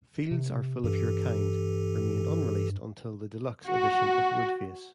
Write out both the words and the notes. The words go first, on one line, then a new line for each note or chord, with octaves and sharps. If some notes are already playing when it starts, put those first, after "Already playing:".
"Fields are Full of Your Kind" remained unreleased until the deluxe edition of "Woodface".
C3
G2 E3 G4 A4
F#4